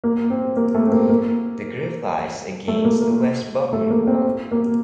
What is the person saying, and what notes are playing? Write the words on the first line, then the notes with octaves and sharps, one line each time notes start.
The grave lies against the west boundary wall.
A#3
C4
A#3
A3
C4
A#3
A#3
A3
A#3
A#3
A3
A#3
C4
A#3